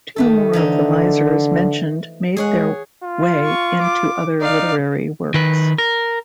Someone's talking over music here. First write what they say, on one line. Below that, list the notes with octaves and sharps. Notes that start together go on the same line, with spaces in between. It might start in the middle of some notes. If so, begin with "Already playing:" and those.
Two more of the misers mentioned made their way into other literary works.
D#3 A3 A4
D3 E3 F3 D#4
G#3 G#4 C#5 F#5
F4
C#6
D6
D#4 D5 F5
D#3 B4
A#4